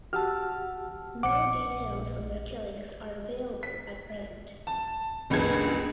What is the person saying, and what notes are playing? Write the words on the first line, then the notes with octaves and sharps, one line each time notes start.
No details on their killings are available at present.
F#4 G4 F#5 A5 E6 F6
A#1 F#5 D6 C#7
B6
A5
F#1 C#2 G2 B3 G#4 G#6